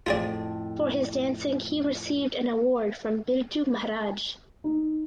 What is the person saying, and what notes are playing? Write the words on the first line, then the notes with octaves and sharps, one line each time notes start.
For his dancing he received an award from Birju Maharaj.
F2 A2 F4 G#4 D5
D#4